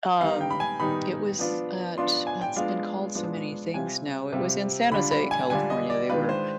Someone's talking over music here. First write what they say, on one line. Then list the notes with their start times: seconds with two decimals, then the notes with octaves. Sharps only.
Um, it was at, it's been called so many things now, it was in San Jose, California, they were,
0.21 D#3 G3 B3 D#4 F5
0.41 G5
0.51 B5
0.60 G#5
0.80 D#3 G3 B3 D#4 B5
1.39 F3 B3 D4 F4
1.97 F3 B3 D4 F4 C6
2.27 G#5
2.42 G5
2.56 F3 G#3 B3 D4 F4 F5
3.15 F3 G#3 B3 D4 F4
3.74 C3 G3 C4 F4 G#5
4.33 C3 G3 C4 F4
4.92 D3 G3 D4 F4 B5
5.11 B5
5.31 G#5
5.50 D3 G3 D4 F4 G#5
5.70 D#5
5.90 D5
6.10 D#3 G#3 D4 F4 B4
6.29 C5